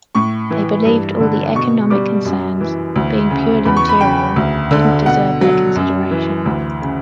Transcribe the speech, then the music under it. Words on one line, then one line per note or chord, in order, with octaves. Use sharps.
They believed all the economic concerns, being purely material, didn’t deserve their consideration.
A2 C#6
E3
G2
D3
B2 C#6
G3 D6
F#2
E3
D2
C#3
E2 B5
C#6
B5
C#3 G5
D2
D3
B2 F#5
F#3
F#2
E3
D2
C#3